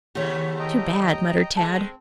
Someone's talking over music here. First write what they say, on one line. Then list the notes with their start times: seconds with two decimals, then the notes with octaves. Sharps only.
"Too bad," muttered Tad.
0.15 D#2 C#3 A3 G4 C#5
0.59 D#5 G5 A#5
1.57 G#3 A3 C4 A5